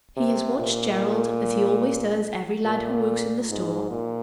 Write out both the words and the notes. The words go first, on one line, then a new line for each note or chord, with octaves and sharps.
He has watched Gerald, as he always does every lad who works in the store.
C3
A#2
A#2
G#2
A#2